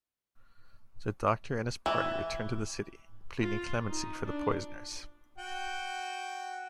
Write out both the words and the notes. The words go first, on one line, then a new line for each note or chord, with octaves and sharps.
The Doctor and his party return to the city, pleading clemency for the poisoners.
E3
F4
D#4
D4
F#4 G5